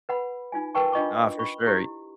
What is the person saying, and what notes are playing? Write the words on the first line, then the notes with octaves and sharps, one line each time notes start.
Uh, for sure.
B4 F#5 B5
D#4 F4 G#5
F#4 A#4 B4 G5 A5 C#6
D4 F4 D#5 B5 C#6 D6
B5 C#6
E4 G4